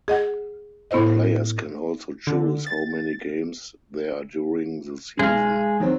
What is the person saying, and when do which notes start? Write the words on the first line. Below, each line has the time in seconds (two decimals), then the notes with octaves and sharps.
Players can also choose how many games there are during the season.
0.08 G#4 D#5 F#5
0.91 A2 B3 E4 C5 D#5
2.27 D3
2.67 A6
5.19 B1 G#3 G#4 F6
5.80 D#3 F#3 C4